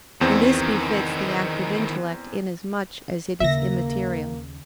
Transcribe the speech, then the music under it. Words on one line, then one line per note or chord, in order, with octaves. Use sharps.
And this befits the active intellect inasmuch as it is immaterial.
E2 D#3 E3 C4
D#2 C#3 A#3 E5 A#6